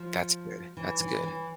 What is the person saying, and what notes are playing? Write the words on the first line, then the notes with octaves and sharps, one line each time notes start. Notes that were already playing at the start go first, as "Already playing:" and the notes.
That's good. That's good.
Already playing: F3
E3
E3
E3